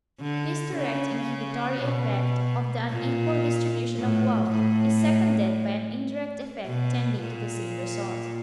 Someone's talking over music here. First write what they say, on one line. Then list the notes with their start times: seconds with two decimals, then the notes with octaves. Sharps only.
This direct inhibitory effect of the unequal distribution of wealth is seconded by an indirect effect tending to the same result.
0.21 D3
0.76 C#3
1.84 B2
2.91 A#2
3.97 A2
4.51 A2
6.66 B2
7.20 A#2